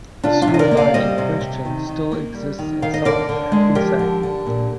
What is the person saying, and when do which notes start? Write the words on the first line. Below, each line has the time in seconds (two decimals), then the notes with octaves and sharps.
The sewer line in question still exists in South Hackensack.
0.24 C3 D4 F4
0.42 D4 F4
0.47 C3
0.54 D#5
0.59 A#4 D5
0.71 A#3
0.77 D5 F5
0.94 G3 C5 D#5
1.18 C3
1.41 C3
1.65 D#3
1.89 D#3
2.12 A#3
2.34 G3
2.59 D#3
2.82 D#3 F5
2.94 D#5
3.05 D3 A#4 D5
3.29 D3
3.52 G#3
3.75 F3 G4 A#4
3.99 D3
4.23 D3
4.46 A#2